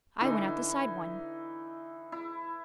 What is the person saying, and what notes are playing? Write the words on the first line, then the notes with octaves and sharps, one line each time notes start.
I went out the side one.
D3 E3 D#4 E4
E4